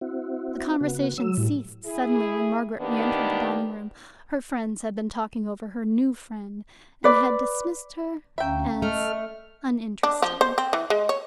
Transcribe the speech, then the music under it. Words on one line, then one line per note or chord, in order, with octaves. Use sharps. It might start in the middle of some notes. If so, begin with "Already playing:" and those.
The conversation ceased suddenly when Margaret re-entered the dining-room: her friends had been talking over her new friend, and had dismissed her as uninteresting.
C4 E4 F#4
C#3 B3 F#4
F#3 E6
A2 G3
E4 G#4
D#3 A#3 B3 D4 D#4 G4
B4 D5
D2 C#4 E5 F5 G5 A#5
A3 A4 D#5 F6
D4
F3
C5
C4
E3
G#3
C#5